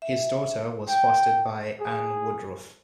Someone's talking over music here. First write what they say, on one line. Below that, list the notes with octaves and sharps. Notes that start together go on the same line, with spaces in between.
His daughter was fostered by Anne Woodrooffe.
E5
G5
G#4